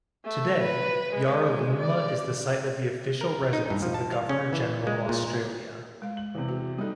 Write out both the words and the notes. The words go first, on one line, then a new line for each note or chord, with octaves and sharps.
Today, Yarralumla is the site of the official residence of the Governor-General of Australia.
A3
B4
G#3
D5
A#4
D#4
G2
F3
A5
F5
C#4
E3
G#3
A#2
G#3 F5
F#7
E2 C3
F#4
G3 D#4 G4 A4